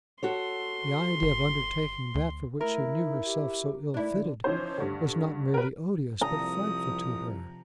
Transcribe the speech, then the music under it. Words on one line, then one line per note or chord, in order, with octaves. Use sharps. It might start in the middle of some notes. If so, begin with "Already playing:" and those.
The idea of undertaking that for which she knew herself so ill fitted was not merely odious but frightful to her.
F#4 A4 C#5 C6
G1
D2
A3 E4 A#4
D#4
G4
A3 D4 E4
D3
E3 F3 C#4 D#4 C5
D2 G2
A#4 B4
C2 C3 F3 A#5 D#6